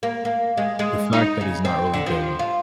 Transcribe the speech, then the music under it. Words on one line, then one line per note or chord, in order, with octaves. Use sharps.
the fact that he's not really been
A#3
A#3
G#3
G#3
D#4
C#3
C4
D3
F3
F4